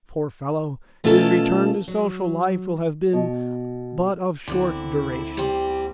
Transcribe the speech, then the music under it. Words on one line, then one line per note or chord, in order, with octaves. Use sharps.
"Poor fellow! his return to social life will have been but of short duration."
B2 A3 C#4 F4 A4 A#4
F#3
B2
D2 D3 C4 E4
G3 C4